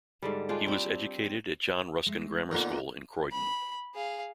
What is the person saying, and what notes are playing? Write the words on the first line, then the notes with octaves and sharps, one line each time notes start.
He was educated at John Ruskin Grammar School in Croydon.
G#2 D3 G3
G#3 D4 F4 G5
G3 C4
G#3 A3
F2 A#2 D3 B3 D#4 A#4
B5
G#4 F5